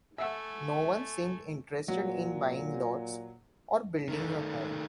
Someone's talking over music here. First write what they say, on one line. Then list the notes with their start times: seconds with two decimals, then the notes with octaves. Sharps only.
No one seemed interested in buying lots or building a home.
0.18 A3 E5 F#5 G#5 E6
1.88 A#2 F#3
4.08 D#3 A3